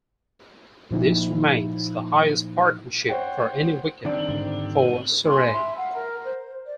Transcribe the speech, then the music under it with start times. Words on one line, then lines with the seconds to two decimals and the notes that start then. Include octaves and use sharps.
This remains the highest partnership for any wicket for Surrey.
0.91 A#2 F3 D#4 E4
3.09 C5 C#5 F#5 G5
4.05 D#3 G3 C4 D4 D5
4.28 G#2 D3
5.25 G#5 B5 C6
5.51 E5 B5
5.75 F5 F#5
5.91 A#4
6.21 C5
6.62 D5